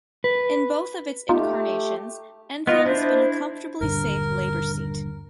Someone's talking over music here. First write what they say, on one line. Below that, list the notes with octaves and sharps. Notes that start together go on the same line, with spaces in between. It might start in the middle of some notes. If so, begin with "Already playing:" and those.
In both of its incarnations, Enfield has been a comfortably safe Labor seat.
B4
A3 D#4 F4 G4
B3 F4 D#5
D4 E4 C5
D#1 G2 D3 A#4